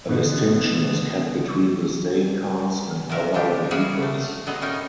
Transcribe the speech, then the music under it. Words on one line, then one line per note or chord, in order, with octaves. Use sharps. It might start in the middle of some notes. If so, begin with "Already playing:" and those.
A distinction is kept between the State Cars and other vehicles.
B2 D3 B4
C3 F#3 A#4 E5
C#3 D4 G4
A#3 C#4 E4 F#4 G#4
A3
D3 F#3 B3 G#4 D#5
A2 C#4 D#4 A#4 C#5